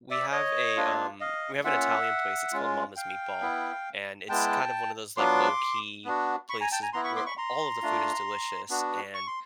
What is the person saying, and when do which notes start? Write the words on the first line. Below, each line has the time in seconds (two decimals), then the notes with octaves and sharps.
we have eh, um, we have an Italian place. It's called Mama's Meatball, and it's kind of one of those, like, low-key places where all of the food is delicious, and
0.11 D5 E5
0.32 C#5 D#5
0.76 A#3 D4 F4
1.20 D#5 F5
1.64 A#3 C#4 F4 E5 F#5
2.52 G#3 C#4 F4
2.96 F5 G5
3.41 B3 E4
4.29 G#3 B3 E4 G5 A5
5.17 F#3 B3 D4 F4 C6 D6
6.05 B3 D4 F#4
6.49 B5 C#6
6.61 G#5 A#5
6.72 G5 A5
6.82 G#5 A#5
6.93 B3 E4 A#5 C6
7.04 B5 C#6
7.15 C6 D6
7.26 B5 C#6
7.38 A#5 C6
7.82 A3 D4 F4
8.70 B3 D4 F#4
9.14 C#6
9.27 C6